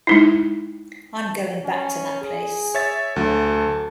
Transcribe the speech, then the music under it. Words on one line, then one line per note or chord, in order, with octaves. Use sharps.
I'm going back to that place.
G#3 D#4 E4
C#4
G#4
C#5 E5 A6
D2 F#3 A4